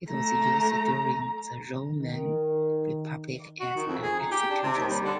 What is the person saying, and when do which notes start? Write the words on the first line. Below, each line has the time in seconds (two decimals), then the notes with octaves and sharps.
It was used during the Roman Republic as an execution site.
0.10 A3 A#5
2.00 D#3
3.60 F#4
3.76 D#3
3.87 F2
4.02 G#4
4.19 D#4
4.31 G4
4.50 D4
4.63 C3
4.76 D#2
4.89 G3
5.04 D3